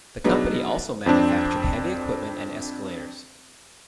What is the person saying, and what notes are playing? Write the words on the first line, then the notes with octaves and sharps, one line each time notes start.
The company also manufactured heavy equipment and escalators.
B2 F#3 G#3 D4 D#4 B4
F2 C4 D4